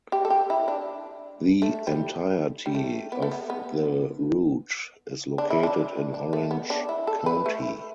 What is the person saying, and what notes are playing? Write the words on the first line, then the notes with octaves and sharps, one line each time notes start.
The entirety of the route is located in Orange County.
G4
A4
G4
E4
D4
A3
G3
G3
A3
B3
A3
B3
B3
D4
E4
D4
D4
A3
B3
D4
E4
A4
B4
A3